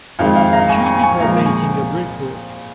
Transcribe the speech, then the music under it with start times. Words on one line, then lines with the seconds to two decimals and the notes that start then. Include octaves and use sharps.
Two people painting a brick wall.
0.19 F2 D#3 G#3 F5
0.36 F5
0.53 F5 A#5
0.69 G#5 C#6
0.86 G#5 C#6
1.03 G#5 C#6
1.20 A#2 F3 G#3 F5 A#5
1.45 G#5 C#6